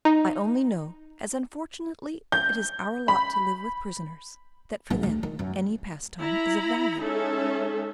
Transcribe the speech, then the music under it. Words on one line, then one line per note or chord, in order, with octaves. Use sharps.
I only know--as unfortunately it is our lot to live with prisoners--that for them any pastime is of value.
D#4
G6
B5
A#1 F#3
D2
D#3
F#2
E4 A#5 B5
G#3 C#4 D#4 A4 E5